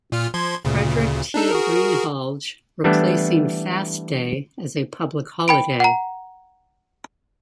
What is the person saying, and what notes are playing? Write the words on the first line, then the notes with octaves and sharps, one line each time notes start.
Frederic T. Greenhalge replacing Fast Day as a public holiday.
A#2 F4 F6
F3 C6 G#6
D2 A#2 C#3
D4 D#4 A4
F#4 G#4 A#4
E3 G3 A3 B3 D4 E4
G5 B5 D7
F#5 A#5